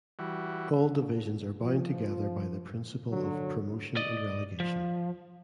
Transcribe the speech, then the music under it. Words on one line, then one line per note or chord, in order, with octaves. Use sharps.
All divisions are bound together by the principle of promotion and relegation.
E3 G3 F#4
F3
D3 F#3
D5 D#5
F3